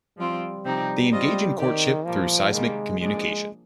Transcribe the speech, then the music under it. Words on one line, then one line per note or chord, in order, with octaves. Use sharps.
They engage in courtship through seismic communication.
F3 G3 C4 F4
C3 F3 C4 D#4 G4
G3 C4 F4 C5 D#5
D#3 C4 G4 D5
A#2 F3 G3 A#3
C3 D#3 G3 G#3 A#3
F3 G#3 A#3 D4 G#4